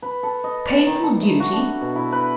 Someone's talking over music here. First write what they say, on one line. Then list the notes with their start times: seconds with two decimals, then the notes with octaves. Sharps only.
"Painful duty!"
0.02 B4
0.23 A4
0.44 D#5
0.66 D5
0.86 D#3
1.04 A4
1.23 E5
1.40 F#4
1.53 D4
1.81 B2
1.96 E4
2.12 B4